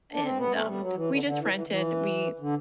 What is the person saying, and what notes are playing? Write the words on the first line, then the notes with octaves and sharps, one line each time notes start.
and, um, we just rented we
D4
C4
B3
A3
G3
F#3
E3
D3
D3
E3
E3
E3
D3